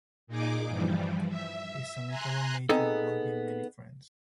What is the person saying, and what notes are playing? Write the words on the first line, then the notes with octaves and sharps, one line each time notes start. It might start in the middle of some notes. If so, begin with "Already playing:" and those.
His amicable nature won him many friends.
A#2 D#4 G#4 D6
G2 E3 F3 G3
E5
G#5 A#5 C6 F#6
B3 C4 D#4 G#4 A4